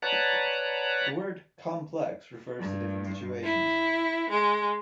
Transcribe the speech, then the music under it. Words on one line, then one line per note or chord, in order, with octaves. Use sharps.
The word "complex" refers to different situations.
B4 C#5 D5 F#5 A5 A#5
G2
E4
G#3